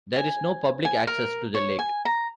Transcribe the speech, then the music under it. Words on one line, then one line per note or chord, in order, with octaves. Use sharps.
There is no public access to the lake.
G#5
G#5
A#4
C#5
G#5
A#5